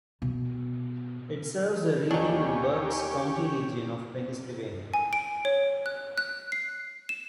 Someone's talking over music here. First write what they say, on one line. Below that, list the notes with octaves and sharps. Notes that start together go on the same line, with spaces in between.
It serves the Reading and Berks County region of Pennsylvania.
B2
D#2 D4 D#4 G4 C#5 G#5
G#5
D7
C#5
F#6
F#6
C7
E7